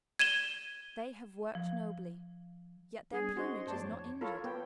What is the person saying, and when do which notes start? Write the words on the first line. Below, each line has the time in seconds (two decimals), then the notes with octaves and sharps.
They have worked nobly, yet their plumage is not injured.
0.19 G#6 D#7 E7 G7
1.55 F3
3.12 G3 B3 D4 G#4
3.37 C#4 D#4 F#4 C5 D#5 C6
3.67 G2 A3 B3 C5 D5 A5
3.80 F2 F3 C#5
4.21 F4 A4 A#4 C#5 F5 B5 C#6
4.44 B3 G5